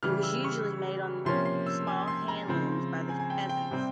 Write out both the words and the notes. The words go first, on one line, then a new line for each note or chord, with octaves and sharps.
It was usually made on small hand-looms by the peasants.
C#3 E3 G3 F6
E6
C#6
C3 F3 A#3 C#4 C6
C6
E6
G#5
C6
A#5
C#3 F3 C4
G#5
G#5
G5
G5
C3 G3 C4